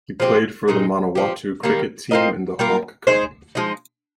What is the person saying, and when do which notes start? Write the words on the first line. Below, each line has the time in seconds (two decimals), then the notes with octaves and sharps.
He played for the Manawatu cricket team in the Hawke Cup.
0.20 F3 G#3 C4 G4
0.68 A#2 G#3 D#4
1.15 F3 C4 G4
1.63 D#3 G3 A#3 D#4
2.11 C4 F4 A#4 D#5
2.59 G3 A#3 F4 A#4
3.07 G#3 D#4 G#4 C5
3.55 F3 G#3 D#4